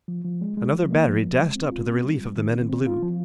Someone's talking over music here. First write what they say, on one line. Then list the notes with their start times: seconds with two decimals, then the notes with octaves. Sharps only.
Another battery dashed up to the relief of the men in blue.
0.08 F3
0.24 F3
0.41 G#3
0.57 G#3
0.73 F3
0.90 A#3
1.07 F3
1.22 F3
1.38 G#3
1.56 C4
1.72 F4
1.88 C4
2.04 G3
2.21 G3
2.37 D#3
2.53 C4
2.70 C4
2.86 F4
3.03 F3